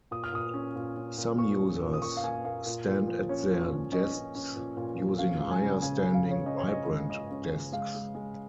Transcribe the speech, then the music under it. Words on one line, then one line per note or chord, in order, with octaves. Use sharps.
Some users stand at their desks using higher standing vibrant desks.
A#2 D#6
F6
A#2 D#6
C#4
A#2
C#4
A#2
A#2 C#6
C#4
A#2
D#6
A#3 C#6
F5
A#2 G#5
A#3 F5
A#2
A#2
F3
C#4 C#5
F3
A#2
C#4 D#5
C#4
C#4
A#2
A#2
F3
C#4 F5
G#3 F5
G#5
C#3
C#3 G#5
G#5
C#3
F5
C#3
C#5
C#4 D#5
C#5
C#4 D#5
G#3
C#4 D#5
C#4
C#3
G#3 F5
G#3
G#3